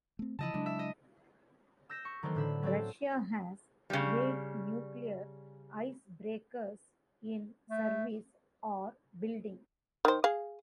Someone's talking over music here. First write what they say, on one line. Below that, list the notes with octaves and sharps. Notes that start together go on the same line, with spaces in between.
Russia has eight nuclear icebreakers in service or building.
A3 C4
C#3 E3 F3 E4 D#5 A5
C#3 F#3 G#3 D4
E5
D#5
E6 G6 A#6 B6 E7
C#6
D#3 E3 F#3 A3 B3 C5
A2 D3 E5 B5
F#3 C4 A4
C#3 G3
A3
D#3 C5
G#4 F5